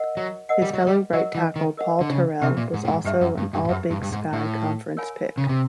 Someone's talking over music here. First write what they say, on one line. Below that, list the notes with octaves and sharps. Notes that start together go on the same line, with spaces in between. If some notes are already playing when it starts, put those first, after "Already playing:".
His fellow right tackle Paul Terrell was also an All-Big Sky Conference pick.
Already playing: A#4 D#5 F#5
F#3
A#4 D#5 F#5
G3
F#3
G3
F#3 A#4 D#5 F#5
E3
D#3
A#4 D#5 F#5
D3
C#3
C3 G4 B4 E5
A#2
G#2
A2
G#2
G2 G4 B4 E5
F#2
G2
G2
G2
F#2 G4 B4 E5
G2
G2
G#2
A2 G4 B4 E5
A#4 C#5 F5 G#5 B5
C#3
C3